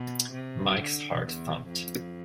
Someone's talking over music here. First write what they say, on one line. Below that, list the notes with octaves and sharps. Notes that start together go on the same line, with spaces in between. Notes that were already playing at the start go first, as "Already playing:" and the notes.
Mike's heart thumped.
Already playing: B2
C3
D3
E2
F2